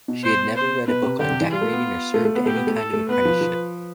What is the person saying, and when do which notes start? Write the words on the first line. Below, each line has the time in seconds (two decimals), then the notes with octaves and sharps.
She had never read a book on decorating or served any kind of apprenticeship.
0.08 B2
0.23 C5
0.56 C5
0.87 B2 B4
1.03 C3
1.19 D3 G4
1.29 C3
1.41 E3
1.51 G3 F4
1.61 A3
1.72 B3
2.14 A3
2.25 A3
2.35 B3
2.46 A3 G4
2.56 B3
2.67 A3
2.77 A4
2.93 A3
3.09 B3 B4
3.25 F3
3.41 F3